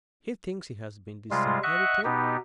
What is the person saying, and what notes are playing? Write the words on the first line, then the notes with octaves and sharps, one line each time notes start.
"He thinks he has been disinherited?"
C3 G3 G#3 F4
D#5 E5 F#5 C#6 F#6
B2 B3 D#4 G4